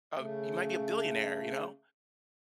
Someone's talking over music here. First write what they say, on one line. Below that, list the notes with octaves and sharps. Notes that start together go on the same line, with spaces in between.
uh, you might be a billionaire, you know?
C#3 A3